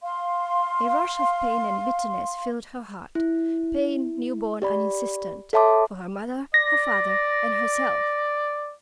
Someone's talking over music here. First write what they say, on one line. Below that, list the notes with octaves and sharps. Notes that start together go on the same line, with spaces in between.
A rush of pain and bitterness filled her heart--pain, new-born and insistent, for her mother, her father, and herself.
F5 C6
E4
G4 D5 B5
A4 C#5 E5 A5 C6 D6
D5 A#6